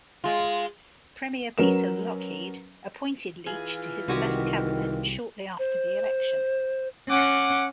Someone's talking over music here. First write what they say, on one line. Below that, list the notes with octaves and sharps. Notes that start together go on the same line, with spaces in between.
Premier Peter Lougheed appointed Leitch to his first cabinet shortly after the election.
G#3 F4
F#3 C#4 A#4 B4 E7
E3 F4 G#4
C2 D#3 G#3 F#4 G4
C5
C#4 F#5 D6